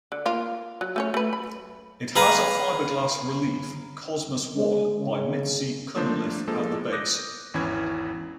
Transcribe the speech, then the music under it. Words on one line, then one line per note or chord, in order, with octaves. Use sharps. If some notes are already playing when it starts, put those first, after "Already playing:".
It has a fibreglass relief, "Cosmos I", by Mitzi Cunliffe, at the base.
D3
A#3 F4
F#3
A3 C#4 C#5
A3 B4
B5
G#4 B4 F5 A#5
G#3
C#3
F3 A3 A#3 D4 C5 D5
F3 G#3 A#3 A4
D6 D#6 F#6 G6 A#6
G#1 E2 E3 C#4 E4 G#6